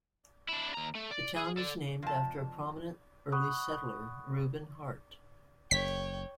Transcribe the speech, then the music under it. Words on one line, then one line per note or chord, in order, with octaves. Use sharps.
The town is named after a prominent early settler, Reuben Hart.
D4 E4
D#2 A#5
A3
D5
G#4
A4 D5
F2 A5
F#5 B5 C#6 D#6 F#6
F#1 C#5 G5 B6